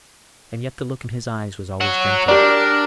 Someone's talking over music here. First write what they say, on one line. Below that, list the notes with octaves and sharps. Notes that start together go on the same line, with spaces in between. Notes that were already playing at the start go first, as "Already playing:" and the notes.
And yet the look in his eyes was always gentle.
C#5 F#5
D4 G4 A#4 D5